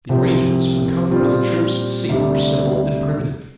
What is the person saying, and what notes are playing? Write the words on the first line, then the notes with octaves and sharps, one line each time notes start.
The arrangements for the comfort of the troops at sea were simple and primitive.
C2 C3 F3 C4 G4
A#2 G3 C4 F4
D2 C3 G3 D4